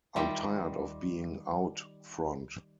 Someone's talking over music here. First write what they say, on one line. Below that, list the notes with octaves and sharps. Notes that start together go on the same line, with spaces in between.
I'm tired of being out front.
D#3 G3 F4 E5 G5